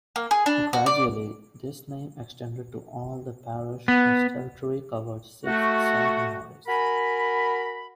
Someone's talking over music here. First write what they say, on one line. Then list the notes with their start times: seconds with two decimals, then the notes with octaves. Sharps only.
Gradually, this name extended to all the parish whose territory covered six seigniories.
0.16 A#3
0.31 G#4
0.46 D4
0.73 F#4
0.86 D5
3.88 B3
5.46 A3 F#4
6.67 F#4 A#4 G#5 B5